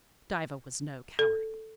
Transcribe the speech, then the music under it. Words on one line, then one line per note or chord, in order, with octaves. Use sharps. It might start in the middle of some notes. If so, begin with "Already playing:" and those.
Diva was no coward.
A4